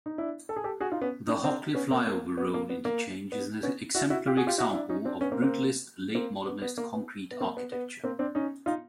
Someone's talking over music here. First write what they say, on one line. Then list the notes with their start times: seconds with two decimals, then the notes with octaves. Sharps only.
The "Hockley flyover" road interchange is an exemplary example of brutalist late-modernist concrete architecture.
0.06 D#4
0.18 D4 E4
0.49 A4
0.56 G#4
0.64 G4 A4
0.80 F#4 G#4
0.92 D#4 F4
1.01 B3 C#4
1.27 C#4 D#4
1.44 C4 D4
1.75 B3 C#4
1.91 A#3 C4
2.07 A#3
2.37 B3
2.54 A#3
2.70 B3
2.85 A#3
3.32 B3
3.63 B3 C#4
3.95 E4 F#4
4.10 E4 F#4
4.26 F4 G4
4.37 F#4 G#4
4.47 F4 G4
4.58 E4 F#4
4.73 D4 E4
4.89 C#4 D#4
5.05 C4 D4
5.21 B3 C#4
5.32 A#3 C4
5.42 A#3 C4
6.15 A#3 C4
6.46 B3
6.62 B3
6.78 A#3
6.93 B3
7.31 B3
7.40 A#3 C4
7.57 B3
7.72 B3
8.03 A#3 C4
8.19 C4 D4
8.35 C#4 D#4
8.66 D#4 F4